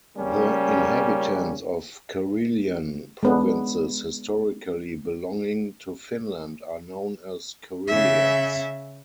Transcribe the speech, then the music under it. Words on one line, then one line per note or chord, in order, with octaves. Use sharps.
The inhabitants of Karelian provinces historically belonging to Finland are known as Karelians.
C#3 G3 A#3 C#4
G#3 B3 D4
C#3 E5